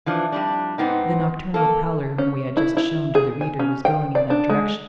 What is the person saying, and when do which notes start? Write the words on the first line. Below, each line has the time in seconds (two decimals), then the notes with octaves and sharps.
The nocturnal prowler whom we have just shown to the reader was going in that direction.
0.06 E3 F3 D4
0.32 F2 G3 D4
0.78 G#2 B3 C4 D#4
1.54 A#3 A4
2.18 C#4
2.57 E4
2.77 E4
3.15 G#4
3.41 G#5
3.59 C#4
3.85 G5
4.15 D5
4.30 D4
4.50 G#3